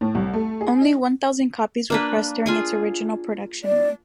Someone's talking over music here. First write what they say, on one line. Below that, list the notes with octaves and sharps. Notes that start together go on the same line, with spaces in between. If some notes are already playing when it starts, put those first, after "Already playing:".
Only one thousand copies were pressed during its original production run.
A2
C2
A3
G#4
D#4
A#3 D4 B4
F4 G#4 G#5
D5